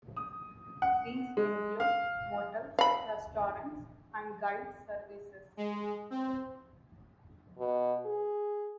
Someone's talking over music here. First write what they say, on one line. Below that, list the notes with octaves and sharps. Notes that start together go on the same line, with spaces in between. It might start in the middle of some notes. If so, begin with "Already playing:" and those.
These include motels, restaurants, and guide services.
D#6
F#5
G#3
F5
F5 B5
G#3
C4
B2
G#4